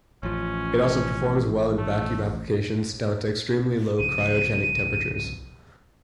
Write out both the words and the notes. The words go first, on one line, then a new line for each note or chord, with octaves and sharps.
It also performs well in vacuum applications, down to extremely low cryogenic temperatures.
A1 F3 C#4
A3
C2 C#3 F3 D#7